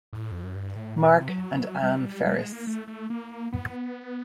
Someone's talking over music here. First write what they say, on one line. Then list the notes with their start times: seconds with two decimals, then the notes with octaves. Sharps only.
Mark and Anne Ferris.
0.13 A2
0.32 F2
0.43 F#2
0.55 G2
0.76 A2
0.97 A#2
1.08 B2
1.19 C3
1.29 F#3
1.83 G3
2.25 G3
2.39 G#3
2.52 A#3
2.67 A3
2.88 A3
3.10 A#3
3.52 B3